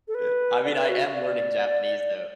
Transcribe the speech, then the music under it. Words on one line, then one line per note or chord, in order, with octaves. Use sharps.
Yeah. I mean, I am learning Japanese though,
A4
B4
D5
B4
F#4
D5